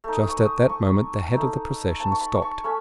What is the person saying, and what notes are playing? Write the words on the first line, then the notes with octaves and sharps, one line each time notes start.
Just at that moment the head of the procession stopped.
A3 D#4
D#6
C#6
D#6
C#6
A3 D#4
A5
C#6
B5
C#6
A3 C#4 B5